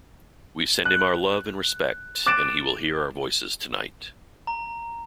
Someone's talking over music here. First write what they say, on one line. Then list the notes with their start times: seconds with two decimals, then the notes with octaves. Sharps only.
We send him our love and respect, and he will hear our voices tonight.
0.85 F#6
2.26 D6 F#6 A6 D7 E7
4.47 A#5